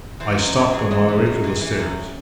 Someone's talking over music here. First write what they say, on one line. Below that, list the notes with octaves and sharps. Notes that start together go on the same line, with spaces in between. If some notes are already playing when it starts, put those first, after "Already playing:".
I stopped on my way to the stairs.
E3 C5
F#2 D#5
F#2 C#5
E3 G#4
E3 D#5
F#2
F#2
E3
E3
F#2